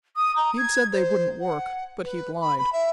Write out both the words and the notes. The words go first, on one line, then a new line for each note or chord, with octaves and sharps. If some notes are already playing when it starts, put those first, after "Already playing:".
He'd said they wouldn't work, but he'd lied.
D#6
A#5
G#6
C5
F#5
B4
B5
B5
E5